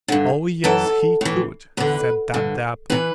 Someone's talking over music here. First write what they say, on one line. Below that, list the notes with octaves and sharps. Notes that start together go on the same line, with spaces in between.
"Oh, yes, he could," said Dab-Dab.
G2 D3
F#2 E3 A4
A2 E3
E2 D3 B4
G2 D3
C3 E3 B4